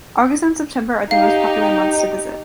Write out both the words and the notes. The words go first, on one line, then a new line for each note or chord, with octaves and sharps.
August and September are the most popular months to visit.
D#4 G4 F5